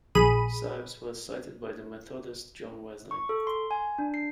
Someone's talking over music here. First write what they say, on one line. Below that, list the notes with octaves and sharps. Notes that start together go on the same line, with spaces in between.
Sibbes was cited by the Methodist John Wesley.
A#1 G#4 B5 D#7
C#6
A4
C6
G#5
D4
C7